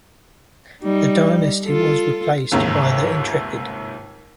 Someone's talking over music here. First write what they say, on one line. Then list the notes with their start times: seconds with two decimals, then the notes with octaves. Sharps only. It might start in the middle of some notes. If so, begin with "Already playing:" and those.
The Dynasty was replaced by the Intrepid.
0.82 G3 D#4
1.66 F4 A4
2.52 G1 D#2 G#2 C3